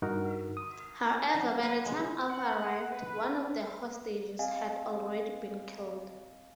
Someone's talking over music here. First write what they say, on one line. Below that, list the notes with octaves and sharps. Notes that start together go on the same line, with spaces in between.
However, by the time Alpha arrived, one of the hostages had already been killed.
G2 D#4 F#4 A#4
D#6
F#3
B4
G#3
F#5
B4
C4 D#5 F5 G#5